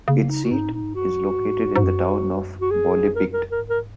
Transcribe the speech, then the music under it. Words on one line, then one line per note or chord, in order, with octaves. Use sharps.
Its seat is located in the town of Bollebygd.
C#3 A#3
D#4
F#4
G#2 D#4
A#2 D#4
G#2
F#2 F#4
G#2
G#2
F#2
F#4
G#4
A#4
A#4
A#4
G#2
A#4